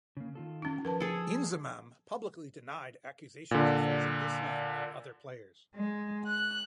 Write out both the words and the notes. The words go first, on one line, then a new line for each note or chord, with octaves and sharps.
Inzamam publicly denied accusations of forcing Islam on other players.
C#3 A#3
D#3 F4 A4
C#4 D#4
F3 A#4 B4 A5
G#4 A4
A#2 D3
G#3
F#6